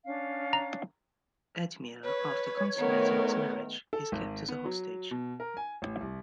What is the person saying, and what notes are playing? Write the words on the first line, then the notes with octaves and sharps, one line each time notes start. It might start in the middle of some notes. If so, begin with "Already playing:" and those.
Edmure, after consummating his marriage, is kept as a hostage.
C#4 D4 F5
A#5
B4 C#5
D#3 A3 B3 A#4
A4
G#1
B3
F#3
B2
A#4
G#5
A1
C2